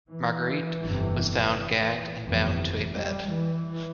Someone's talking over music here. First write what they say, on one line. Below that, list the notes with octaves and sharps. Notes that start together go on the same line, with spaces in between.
Marguerite was found gagged and bound to a bed.
E3
G1 F2 C3
G1 F2 C3 E3
G3
E3